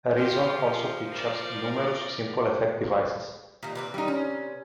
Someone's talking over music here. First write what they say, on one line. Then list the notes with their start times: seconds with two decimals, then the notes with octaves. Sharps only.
Reason also features numerous simple effect devices.
0.17 F3 F4 G4
1.11 A#4 D5
3.63 A#2 D#3 G3
3.75 C3 B4 D5
3.94 G3 D#4
4.08 C#4